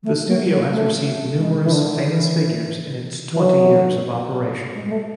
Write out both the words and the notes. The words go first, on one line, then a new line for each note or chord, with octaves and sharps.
The studio has received numerous famous figures in its twenty years of operation.
A3
F#3
F#3
A3
G#3
E3
D3
E3
E3
F#3
G#3
G#3
A3